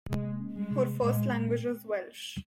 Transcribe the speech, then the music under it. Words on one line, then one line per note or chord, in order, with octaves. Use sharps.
Her first language is Welsh.
C3 G#3
A#3
C#4
G3 G#3
C3
A#3
A#2 G#3
G#3
A#2
C4